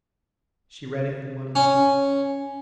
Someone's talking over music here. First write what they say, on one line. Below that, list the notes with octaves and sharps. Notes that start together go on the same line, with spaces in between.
She read it in one instant.
C#4